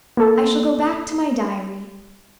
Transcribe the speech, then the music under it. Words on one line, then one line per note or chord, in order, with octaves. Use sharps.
I shall go back to my Diary.
A#3 A4